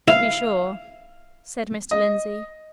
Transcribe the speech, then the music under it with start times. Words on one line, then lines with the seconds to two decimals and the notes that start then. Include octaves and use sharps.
"To be sure," said Mr. Lindsey.
0.08 E4 F5
1.91 D#5